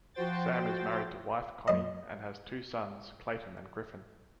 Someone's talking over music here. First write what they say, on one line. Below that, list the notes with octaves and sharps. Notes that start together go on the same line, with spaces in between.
Sam is married to wife, Connie, and has two sons, Clayton and Griffin.
F3 F#4 C5 G5 A6
F#2 D#5